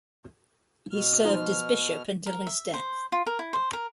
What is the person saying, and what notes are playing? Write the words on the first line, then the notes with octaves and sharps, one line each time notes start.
He served as bishop until his death.
B2 F6
F3 D#4 C5
A#4
E5
C5
F4
A#4
E4
C5
A#4